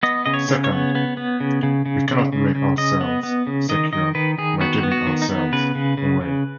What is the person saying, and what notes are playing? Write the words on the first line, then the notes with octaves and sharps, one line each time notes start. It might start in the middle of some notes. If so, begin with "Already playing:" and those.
Second, we cannot make ourselves secure by giving ourselves away.
B3 D#5
C#3 D#5
C#5
C#3
C#5
B3
B3
B3
C#3
C#3
C#3
C#3
C#3
C#3
C#3 D#5
B3
B3
C#3
D#3 D#5
D#3 D#5
D#3 B4
D#3 G#4
B3 F#4
B3
F#4
D#3
D#4
B3
C#3 B4
C#3
C#3
C#3